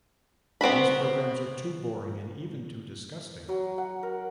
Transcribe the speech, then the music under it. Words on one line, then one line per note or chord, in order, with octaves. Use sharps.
These programs are too boring and even too disgusting!
B3 C4 F#4 B5
F#3
F#5
A#4